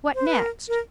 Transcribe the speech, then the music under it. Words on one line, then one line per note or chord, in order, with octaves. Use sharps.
"What next?"
C5
B4
A#4
A#4